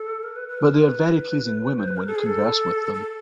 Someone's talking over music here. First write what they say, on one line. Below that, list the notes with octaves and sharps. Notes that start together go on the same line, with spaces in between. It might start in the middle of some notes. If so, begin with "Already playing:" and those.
But they are very pleasing women when you converse with them.
Already playing: A4
A#4
B4
B4
A#4
B4
C5
B4
A#4
A4
G#4
A4
A4